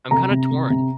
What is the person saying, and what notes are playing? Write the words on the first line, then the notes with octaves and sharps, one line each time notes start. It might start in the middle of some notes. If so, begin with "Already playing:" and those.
I'm kinda torn.
C3 A#5
C3
C3
C3